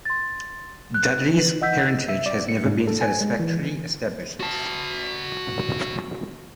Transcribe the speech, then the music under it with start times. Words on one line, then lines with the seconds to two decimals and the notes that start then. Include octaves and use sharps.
Dudley's parentage has never been satisfactorily established.
0.05 C6 A6
0.94 F#6
1.33 D#4 B4 F#7
1.62 D#5 F#5 E6 G6 B6
2.09 E5
2.26 D5
2.49 C#7
2.65 G#2
2.88 A4
3.01 G#5
3.21 G#3
3.40 E3
4.40 F#4 A5